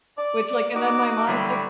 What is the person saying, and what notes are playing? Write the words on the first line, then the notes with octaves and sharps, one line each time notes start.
Which, like, and then my mom's like
D5
D#4 F#4 D#5 D6
A2 D3 E3 F#3 G3